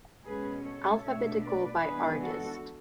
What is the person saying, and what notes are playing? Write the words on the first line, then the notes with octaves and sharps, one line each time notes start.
Alphabetical by artist.
B2 G#3 C#4 G#4 B4
A4 C#5
B2 A3 D4 C#5 E5
B4 D5
E3 G#3 B3 D4 G#4 B4
F#4 A4